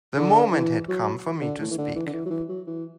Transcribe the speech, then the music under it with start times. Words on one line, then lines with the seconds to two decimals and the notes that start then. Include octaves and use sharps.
The moment had come for me to speak.
0.17 D3
0.53 E3
0.88 F#3
1.41 D3
1.60 A2
1.71 E3
1.78 D3
1.95 E3
2.07 D3
2.13 E3
2.26 F#3
2.30 E3
2.49 F#3
2.67 E3